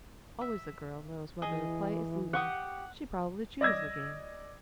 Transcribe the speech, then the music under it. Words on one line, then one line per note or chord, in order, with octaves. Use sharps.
Always the girl knows whether the play is leading: she probably chooses the game.
E5
E3 G#4 D#5
G4 F#5 C#6 D#6
D5 D#5 E6 G#6 A#6